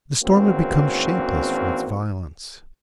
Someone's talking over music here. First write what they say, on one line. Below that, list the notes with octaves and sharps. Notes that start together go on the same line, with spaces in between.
The storm had become shapeless from its violence.
G#1 E2 A#3 C4 C#4 F#4